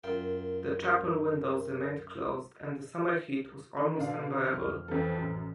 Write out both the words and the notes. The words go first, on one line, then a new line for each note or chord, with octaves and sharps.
The chapel windows remained closed and the summer heat was almost unbearable.
F#2 F4 A#4 G5
B2 D3 D4 F5
F2 F6
F2 E3 A4
A1 F#2